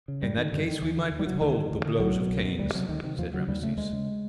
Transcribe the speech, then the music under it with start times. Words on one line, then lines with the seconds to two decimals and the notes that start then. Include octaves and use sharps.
"In that case we might withhold the blows of canes," said Rameses.
0.08 C#3
0.22 F#2 G3
0.37 D3 D#3
0.52 F#2 D3
0.68 D3 D#3
0.82 D#2 E3
0.96 D3 F3
1.11 D#2
1.19 G3
1.26 D3 F#3
1.41 D2 D#3
1.56 D3
1.71 D2
1.85 D3
2.00 C2 F#3
2.15 B2
2.29 C2
2.45 B2
2.59 D2 G3
2.74 C3 F#3
2.89 D2 D#3
3.03 C3 D#3
3.18 D#2 F3
3.33 C#3 F#3
3.48 D#2 G3
3.62 C#3 A3
3.77 D2 G#3
3.93 C#3